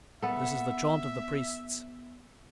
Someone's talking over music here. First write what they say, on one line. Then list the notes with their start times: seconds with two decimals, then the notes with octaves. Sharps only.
This is the chaunt of the Priests.
0.22 B3 A4 E5